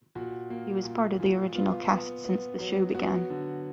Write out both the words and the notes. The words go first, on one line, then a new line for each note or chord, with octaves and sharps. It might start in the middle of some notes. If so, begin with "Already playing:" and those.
He was part of the original cast since the show began.
A#2 F#4
A#3
A#2
A#2
B3 F4
B3
B3
F#3
B3 F#4
D3